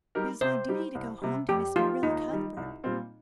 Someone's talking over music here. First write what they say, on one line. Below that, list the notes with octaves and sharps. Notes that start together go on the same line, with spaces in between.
But it is my duty to go home to Miss Marilla Cuthbert.
G3 D#4 G4 A#4
C3 C5
G3 D#4 G4
C2
C3 G3
F2 G4
F3 D#4 F4 G4
D#2 D#4
D#3 G3
C2
A#2 G3 C4 F4